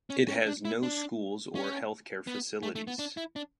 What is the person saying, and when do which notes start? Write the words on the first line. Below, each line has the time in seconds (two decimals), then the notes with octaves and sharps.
It has no schools or healthcare facilities.
0.10 C#4
0.28 C#4
0.46 D4
0.65 E4
0.83 D4
1.55 C#4
2.27 B3
2.63 A3
2.75 A3
2.87 B3
2.99 D4
3.17 E4
3.36 D4